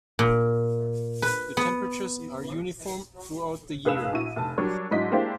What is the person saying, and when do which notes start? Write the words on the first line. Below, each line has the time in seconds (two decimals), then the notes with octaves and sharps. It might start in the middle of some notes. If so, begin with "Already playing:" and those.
The temperatures are uniform throughout the year.
0.19 A#2
1.22 B4
1.57 B3
3.85 F1 G#4 B4 F5 E6 E7
4.12 A#1 E4 F#4 D#7
4.36 F1 A5
4.58 F#3 G3 D4 A#4 C#5
4.91 G#2 F#3 D4 E4 D#5 B6
5.12 G#3 A#3 D4 E4 G4 C5